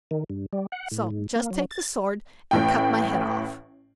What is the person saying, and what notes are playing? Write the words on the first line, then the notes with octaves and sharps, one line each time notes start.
So just take the sword, and cut my head off.'
D#3
G2
G3
F#5
A2
G#2
A#3
F#3
A6
A1 A2 G5